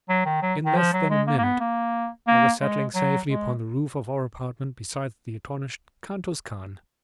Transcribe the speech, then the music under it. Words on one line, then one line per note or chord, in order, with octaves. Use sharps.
In less than a minute I was settling safely upon the roof of our apartment beside the astonished Kantos Kan.
F#3
D#3
F#3
D#3
F3
F#3
G#3
A#3
A#3
B3
A#3
A#3
G#3
F#3
G#3